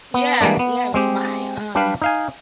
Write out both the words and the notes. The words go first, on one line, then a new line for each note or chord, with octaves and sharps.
Yeah, yeah, my, um
B3
E3 G3 G#3 A#3 D4
B3
G#3 C4 G4
G3 D4 G4 B4 F5
D#4 F5 G#5